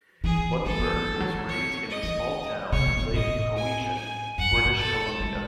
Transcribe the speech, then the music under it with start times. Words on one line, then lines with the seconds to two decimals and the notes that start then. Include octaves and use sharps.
Lundberg was raised in the small town Lake Cowichan, British Columbia.
0.24 E3 G#4
0.65 G#3 A4
0.79 B3
0.93 C#4
1.06 A3
1.14 E3
1.20 F#3
1.35 E3
1.49 C#5
1.90 D#5
2.03 E3
2.72 C#3 C#5
2.81 B2
2.88 A2
2.97 B2
3.14 A2 D#5
3.55 G#5
3.96 G#5
4.38 F#2 F#5
4.52 A2
4.65 B2
4.79 A4
5.20 G#3